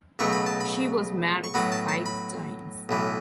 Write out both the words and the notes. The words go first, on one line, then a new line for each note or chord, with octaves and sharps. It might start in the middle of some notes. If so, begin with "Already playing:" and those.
She was married five times.
C#2 B2 F#3 A3 C#6
B5
A5
B5
C#6
A2 F#3 B3 B5
A5
A5
B5
B1 A2 E3